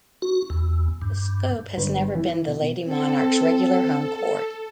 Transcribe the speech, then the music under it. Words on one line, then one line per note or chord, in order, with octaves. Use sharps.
The Scope has never been the Lady Monarchs' regular home court.
F#4
E2
G2
G1
E3
B2
C4 A4